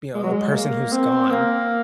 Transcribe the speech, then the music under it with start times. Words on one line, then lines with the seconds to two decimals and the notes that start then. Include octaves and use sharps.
you know, a person who's gone,
0.14 G#3
0.23 F#3
0.31 G#3
0.53 A#3
0.92 C4
1.31 A#3